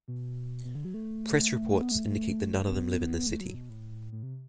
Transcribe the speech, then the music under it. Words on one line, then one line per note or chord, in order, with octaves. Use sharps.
Press reports indicate that none of them live in the city.
B2
B2
D3
F#3
A3
B3
A3
A3
B3
B3
A3
F#3
B2
A2
A2
C3